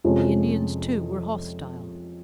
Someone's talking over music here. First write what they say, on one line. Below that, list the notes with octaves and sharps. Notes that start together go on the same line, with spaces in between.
The Indians, too, were hostile.
F2 C3 F3 G#3 C#4